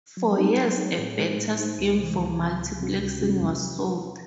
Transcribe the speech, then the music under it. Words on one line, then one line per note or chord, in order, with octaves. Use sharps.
For years a better scheme for multiplexing was sought.
F#3
C4 D#4 G#4 C#5
F#3
C4 D#4 G#4 C#5
A2
G#3 D#4 G#4 C5
A2
G#3 D#4 G#4 C5
C#2
C3 E3
C#2
C3 E3
C#2
C3 F#3 C#4 F#4
C#2
C3 F#3 C#4 F#4
E2